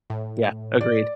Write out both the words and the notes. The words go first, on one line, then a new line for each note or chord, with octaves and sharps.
Yeah. Agreed.
A2
D5